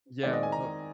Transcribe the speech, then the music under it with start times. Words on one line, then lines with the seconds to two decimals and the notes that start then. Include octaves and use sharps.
yeah, but
0.23 D#3 G#3 C4 D5
0.33 D#5
0.43 G#5
0.52 A#5